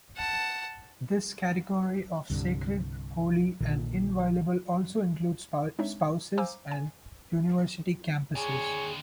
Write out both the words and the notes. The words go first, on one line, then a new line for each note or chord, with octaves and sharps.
This category of sacred, holy, and inviolable also includes spouses and university campuses.
F#5 A5
C2 G2 D3
A#1 A#2 D3 D#3
G#3 C4 D4 D#4 C#5 E5
C5 F5 G#5 A#5 D6 E6
G#5
D#2 D3 G#4 C#5 G#5